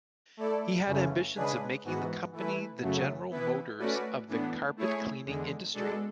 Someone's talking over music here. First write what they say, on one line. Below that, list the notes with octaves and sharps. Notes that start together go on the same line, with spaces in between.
He had ambitions of making the company the General Motors of the carpet-cleaning industry.
A3 E4 A4 D5
F#2 C#3 E3 A3 C#4
C#3 G#3 D4 G#4 B4
G#2 E3 B3 F#4
E3 A3 E4 B4
F#2 C#3 F#3 A3
E3 B3 E4 B4
A3 C#4 F#4 B4 D5
A2 E3 B3 D4
A3 E4 G#4 C#5
E2 D3 G#3
B2 G#3 D4 A4